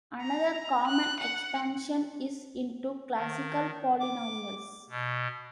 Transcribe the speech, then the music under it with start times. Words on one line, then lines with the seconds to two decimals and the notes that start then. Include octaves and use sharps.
Another common expansion is into classical polynomials.
0.21 A#5
0.87 F#6
1.20 F#5
3.16 D#3
4.00 D6
4.90 B2